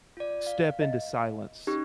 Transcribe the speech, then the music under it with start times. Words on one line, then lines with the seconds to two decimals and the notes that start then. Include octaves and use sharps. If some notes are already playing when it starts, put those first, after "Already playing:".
step into silence,
0.17 F4 D5
0.47 F5
0.81 D#5
1.67 C#4 D#4 G4